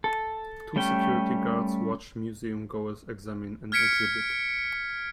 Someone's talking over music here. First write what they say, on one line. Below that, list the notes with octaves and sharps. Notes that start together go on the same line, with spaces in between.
Two security guards watch museum goers examine an exhibit.
A4
G3 A3 C#4 G5
F6 G#6 B6 C#7 D7